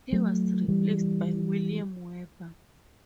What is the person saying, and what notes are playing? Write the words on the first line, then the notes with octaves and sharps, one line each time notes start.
He was replaced by William Weber.
F#3 A3
E3 G3